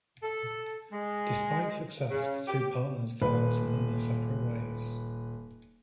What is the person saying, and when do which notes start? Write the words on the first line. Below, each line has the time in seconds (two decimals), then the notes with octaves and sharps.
Despite success the two partners fell out and went their separate ways.
0.23 A4
0.93 G#3
2.11 C#3
2.48 G4
3.22 D#1 B4